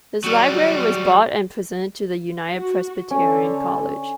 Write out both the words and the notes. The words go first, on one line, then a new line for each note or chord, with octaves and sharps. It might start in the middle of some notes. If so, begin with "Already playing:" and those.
His library was bought and presented to the United Presbyterian College.
F#3 G3
F#4
D3 C#4